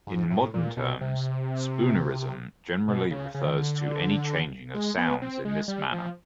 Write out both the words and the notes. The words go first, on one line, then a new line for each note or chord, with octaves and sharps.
In modern terms, "spoonerism" generally refers to any changing of sounds in this manner.
G#2
A2
A#2
B2
C3
B2
C#3
C#3
D#3
D3
G#3
B3
C4
G#3
G3
F3